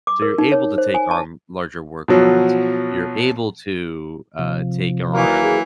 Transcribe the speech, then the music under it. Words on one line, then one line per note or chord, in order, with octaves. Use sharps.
So you're able to take on larger workloads. You're able to, uh, take on
D6
A#4
D#4
C#5
C5
G#5
A5
B2 F3 F#3
C3 F3
E3 F#3 A#3
G#4